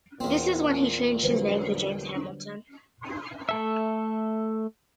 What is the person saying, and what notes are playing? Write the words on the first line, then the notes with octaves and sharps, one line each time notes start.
This is when he changed his name to James Hamilton.
E2 A#2 B3 C4
D3 F#3 G3 B4 C5
A3 A4 E5